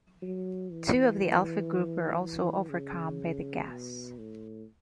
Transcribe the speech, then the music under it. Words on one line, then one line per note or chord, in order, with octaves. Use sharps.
Two of the Alpha Group were also overcome by the gas.
F#3
E3
E3
C#3
B2
A2